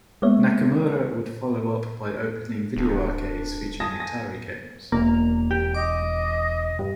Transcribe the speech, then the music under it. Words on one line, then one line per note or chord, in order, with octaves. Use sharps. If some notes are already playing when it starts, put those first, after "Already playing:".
Nakamura would follow up by opening video arcades featuring Atari games.
G#3 A#3 B3 C#5 E5
D1 D4
G#5 A5 D#6 A#6
A#6
E1 A#3 A#5
G4 G5
D#5 D6
G2